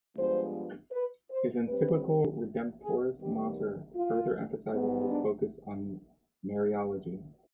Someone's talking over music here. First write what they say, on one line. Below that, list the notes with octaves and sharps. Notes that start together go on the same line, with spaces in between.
His encyclical "Redemptoris Mater" further emphasizes his focus on Mariology.
G2 F3 G#3 B3 C5
B4
C5
C3 G3 C4 B4
G#4
D#2 D#3 G3 B3 G4
F4
G#2 G3 B3
D4